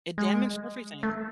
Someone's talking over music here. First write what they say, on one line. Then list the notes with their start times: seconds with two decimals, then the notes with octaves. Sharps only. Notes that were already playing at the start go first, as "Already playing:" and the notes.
it damaged everything.
0.18 G#3
1.03 A3